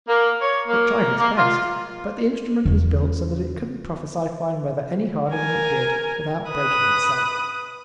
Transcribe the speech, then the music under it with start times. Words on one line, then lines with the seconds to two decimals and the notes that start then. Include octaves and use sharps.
It tried its best, but the instrument was built so that it couldn't prophesy fine weather any harder than it did without breaking itself.
0.08 A#3
0.42 C#5
0.68 A#3
1.18 A#3
1.36 F4
2.65 E2 C#3
5.32 A#4 G#5
6.50 B4 D#6 F#6